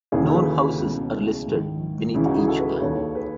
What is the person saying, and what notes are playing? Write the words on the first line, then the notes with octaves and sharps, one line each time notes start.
Known houses are listed beneath each clan.
D#2 C#3 E3 E4 G#4
F#4 A4
G#4 B4
C#2 B2
E4 G#4
G#2 D#3
C#2 C#3 E3 E4 G#4
D#4 F#4
E4 G#4
F#4 A4
G#4 B4
G#4 B4
D#2 D#3 A4 C#5
G#4 B4